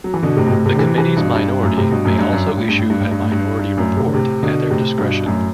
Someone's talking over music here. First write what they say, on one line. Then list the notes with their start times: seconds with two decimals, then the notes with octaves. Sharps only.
The committee's minority may also issue a Minority Report at their discretion.
0.04 F#3
0.14 E3
0.23 B2 D3
0.37 A2 C3
0.46 B2
0.51 A2 C3
0.66 A2 C3
0.74 D3
0.79 C3 E3
0.98 C3 E3
1.16 G2 B2
1.35 G2
1.49 G2
1.63 F#2 A2
1.77 A2 C3
1.91 G2 B2
2.05 F#2 A2
2.19 G2
2.33 F#2
2.47 G2
2.57 A2
2.69 G2
2.79 A2
2.90 G2
3.00 A2
3.11 G2
3.22 A2
3.32 G2
3.59 G2
3.77 F#2 A2
3.96 A2 C3
4.08 D3
4.14 A2 C3
4.43 B2 D3
4.70 A2 C3
4.98 G2 B2
5.26 F#2 A2